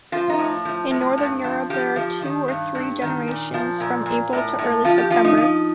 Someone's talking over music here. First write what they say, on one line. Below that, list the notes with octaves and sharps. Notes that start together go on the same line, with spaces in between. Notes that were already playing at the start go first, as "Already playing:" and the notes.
In northern Europe there are two or three generations from April to early September.
F3 F4
D#4
A2
F3
A2
G2
F3
F3 G4
F3
D#3
G2
G2
D#3
A#2
F3
A#2
A#2
A2
A2
F3 F4
G4
F3 F4
D#4
F3